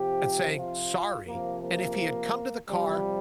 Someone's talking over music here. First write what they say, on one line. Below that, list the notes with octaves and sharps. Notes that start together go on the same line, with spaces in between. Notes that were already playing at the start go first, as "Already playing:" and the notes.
and saying "Sorry," and if he had come to the car,
Already playing: C3 F3 G4
F4
C3 F3 A#3
A#3
C3 F3 G3